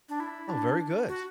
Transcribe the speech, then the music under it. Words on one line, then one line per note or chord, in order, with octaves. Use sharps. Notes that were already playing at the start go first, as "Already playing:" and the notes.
Oh, very good.
D4
E4
D4
F#4